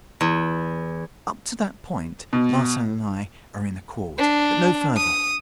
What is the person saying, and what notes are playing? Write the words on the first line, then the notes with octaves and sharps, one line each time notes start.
Up to that point, Larsan and I are in accord; but no further.
E2
B2
D4
D#6